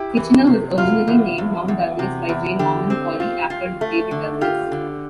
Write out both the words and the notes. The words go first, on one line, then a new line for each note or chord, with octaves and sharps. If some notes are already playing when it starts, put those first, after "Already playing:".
Kitchener was originally named Mount Douglas by J. Norman Collie after David Douglas.
Already playing: E4 G4
E3
C3
E2 F4
E2
E2
E2
C3
E2
D3 G4
C4
F4
F4
A3
D3
F4 G4
D3